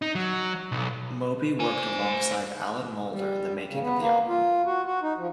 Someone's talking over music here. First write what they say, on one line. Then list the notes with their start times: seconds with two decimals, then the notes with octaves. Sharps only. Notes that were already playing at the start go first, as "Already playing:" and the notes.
Moby worked alongside Alan Moulder in the making of the album.
0.02 D#4
0.15 F#3
0.72 B1
1.60 C5 G#5
3.10 G3
3.70 C#3
3.82 B3
4.00 A#3
4.28 F4
4.66 F#4
4.85 F#4
5.02 D#4
5.17 F3